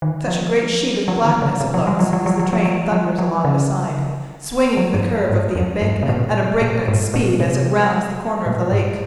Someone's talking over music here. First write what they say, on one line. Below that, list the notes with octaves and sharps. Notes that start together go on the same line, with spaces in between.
Such a great sheet of blackness it looks as the train thunders along the side, swinging the curve of the embankment at a breakneck speed as it rounds the corner of the lake.
D#3
F3
F3
D#3
C#3
C3
F3
G3
F3
F3
F3
F3
F3
F3
F3
F3
C#3
F3
G2
G#2
F2
G2
C3
A#2
A#2
G#2
A#2
C3
A#2
G#2